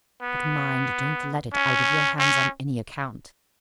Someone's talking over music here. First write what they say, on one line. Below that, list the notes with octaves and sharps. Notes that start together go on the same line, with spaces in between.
But mind, don't let it out of your hands on any account.
B3
C#4
C#4